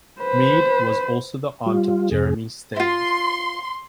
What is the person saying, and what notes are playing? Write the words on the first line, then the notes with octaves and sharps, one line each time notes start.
Mead was also the aunt of Jeremy Steig.
B4 C5
G3 F4
F2 C3 G#4
E4 F4 C6